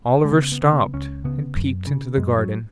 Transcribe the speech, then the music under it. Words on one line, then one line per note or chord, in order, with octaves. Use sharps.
Oliver stopped, and peeped into the garden.
G#3
C#3 B3
B3
C#3 C#4
B3
C#2 C#4
C#3 B3
F#2
C#3
F#2 G#3
F#3